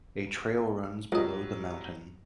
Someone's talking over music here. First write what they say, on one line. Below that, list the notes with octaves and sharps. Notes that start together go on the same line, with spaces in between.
A trail runs below the mountain.
C#2 F#3 G3 D#5